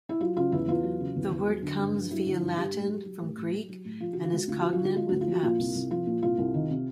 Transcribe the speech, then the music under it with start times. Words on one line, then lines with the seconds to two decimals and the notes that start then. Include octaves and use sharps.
The word comes via Latin from Greek and is cognate with apse.
0.09 E4
0.20 F#3 F4
0.37 C#3 F4
0.52 E2 E4
0.68 E2 F4
0.84 F#3
1.00 C#3
1.16 E2
1.32 E2
1.48 F#3
1.63 D3
1.79 G2
1.95 G2
2.11 F#3 E4
2.27 D3 E4
2.42 G2
2.57 G2 G4
2.74 A2
2.89 F#3
3.06 F#3
3.22 A2
3.37 A2
3.53 F#3
3.69 F#3
3.85 A2
4.00 F3 F4
4.13 D3 F#4
4.24 F4
4.33 G#3 F#4
4.48 D2 F4
4.61 F3 F#4
4.73 F4
4.80 D3
4.85 F#4
4.96 G#3 F4
5.09 D2 F#4
5.21 F4
5.27 F3 F#4
5.43 A#2 F4
5.59 C2
5.75 C2
5.90 F3 F4
6.07 A#2
6.22 C2 F4
6.38 C2
6.54 D#3
6.70 C3